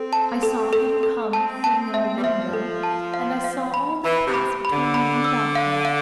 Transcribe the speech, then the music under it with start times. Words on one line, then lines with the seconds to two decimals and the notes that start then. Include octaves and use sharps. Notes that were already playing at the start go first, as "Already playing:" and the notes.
I saw him come from your window, and I saw all that passed between you in the balcony.
Already playing: C4 A4
0.13 A5
0.43 A4
0.73 A4
1.03 A4
1.33 C4 A5
1.64 A5
1.94 E5
2.17 G3
2.23 F3 E5
2.53 A4
2.83 A5
3.14 F5
3.44 F5
3.74 B5
4.04 E3 B5
4.27 C3
4.34 B5
4.65 B5
4.72 D3
4.94 B5
5.24 E6
5.55 F5
5.85 F5